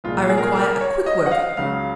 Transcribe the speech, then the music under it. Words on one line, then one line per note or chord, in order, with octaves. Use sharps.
I require a quick worker.
C2 A#2 F3 G#3 F4
G#4
A#4
G#4
A#4
C#5
D#5
F#5
F5
C#2 C#3 F#3 F5